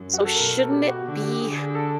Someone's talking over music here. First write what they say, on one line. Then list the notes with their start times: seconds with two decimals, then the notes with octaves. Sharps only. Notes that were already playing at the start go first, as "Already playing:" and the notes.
So shouldn't it be
Already playing: F#2
0.13 F#4
0.25 A4
0.35 B2 A#4
0.47 A#4
0.58 A4
0.70 G4
0.88 F#4
1.05 D3
1.22 G4
1.39 D3 G#4
1.57 G#4
1.75 A4